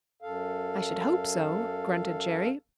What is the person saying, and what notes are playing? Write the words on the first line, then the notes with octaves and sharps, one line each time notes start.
"I should hope so," grunted Jerry.
F#2 A4 F5